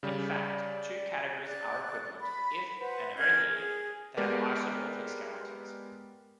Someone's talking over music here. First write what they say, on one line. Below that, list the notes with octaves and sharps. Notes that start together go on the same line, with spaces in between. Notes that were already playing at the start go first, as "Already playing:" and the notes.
In fact, two categories are equivalent if and only if they have isomorphic skeletons.
C#3 G3 D5
D5 F#6
B5
B4 C5 F#5
C#4 A#4 F6 G#6
G#4
G#3 B3 G4 A#4 B4 D5